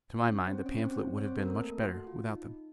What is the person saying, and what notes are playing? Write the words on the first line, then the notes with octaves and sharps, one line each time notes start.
To my mind, the pamphlet would have been much better without them.
C#4 C#5
C4 C5
C#4 C#5
C4 C5
C#5
C4 C5
A4
A#3 A#4
A3 A4
F#4
F4
D#4